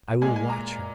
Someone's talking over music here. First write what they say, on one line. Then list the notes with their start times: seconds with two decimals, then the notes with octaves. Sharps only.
I will watch her.
0.21 A#2 G#3 G#5
0.36 G#5
0.50 A#5